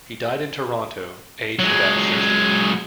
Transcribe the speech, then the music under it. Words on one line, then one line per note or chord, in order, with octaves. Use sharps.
He died in Toronto, aged about sixty.
F#3 G#3